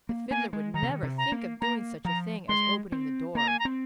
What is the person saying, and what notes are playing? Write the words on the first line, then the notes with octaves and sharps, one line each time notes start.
The Fiddler would never think of doing such a thing as opening the door.
A#3
A#3 G#5
G#3
D#3 A#5
C3
D#3
C3
A#5
A#3
A#3 A#5
F3 A#5
G#3 C6
C4
A#3 A#5
G#5
A#5
C4